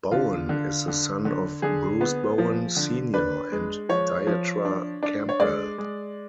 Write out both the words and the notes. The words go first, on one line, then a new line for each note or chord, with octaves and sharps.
Bowen is the son of Bruce Bowen Senior and Dietra Campbell.
D3 F4
D3
D3
D3
D3 G#4
B3
F3
D3
D4 B4
G#3
F3 C#5
F3
D4
D4
C#5
G#3 D5
G#3